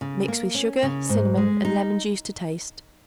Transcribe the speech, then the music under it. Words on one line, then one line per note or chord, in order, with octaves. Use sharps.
Mix with sugar, cinnamon and lemon-juice to taste.
C#3
A#3
C#4
C#3
G#2
G#3
D#4